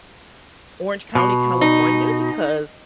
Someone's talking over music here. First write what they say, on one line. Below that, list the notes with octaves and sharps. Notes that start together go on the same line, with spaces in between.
Orange County, California, because
B2
D#4